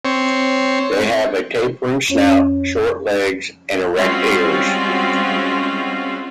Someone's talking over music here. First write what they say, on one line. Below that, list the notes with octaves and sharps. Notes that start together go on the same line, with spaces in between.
They have a tapering snout, short legs, and erect ears.
C4 C#5
F2 C#4 C#5
G3 G#3 C4 C#4 F4 F#4